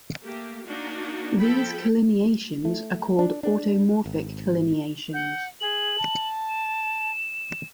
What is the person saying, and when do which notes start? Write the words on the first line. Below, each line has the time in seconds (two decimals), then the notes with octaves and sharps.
These collineations are called automorphic collineations.
0.24 A3 A#3 G4
0.67 A#3 D4 D#4 F#4
1.38 F3 A4 G5 B5
2.65 A3
3.19 D4
3.43 D4
4.06 G#1
5.13 F#5 G6
5.60 G#4 F#7
5.98 A5
6.49 E7